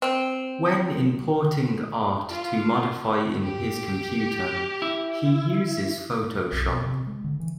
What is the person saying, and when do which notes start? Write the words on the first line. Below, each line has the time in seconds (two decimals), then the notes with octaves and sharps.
When importing art to modify in his computer, he uses Photoshop.
0.02 C4
2.30 F4
3.44 G4
4.82 E4
6.52 B1
6.68 B2
6.86 C3
7.07 G#3
7.24 D3
7.40 E3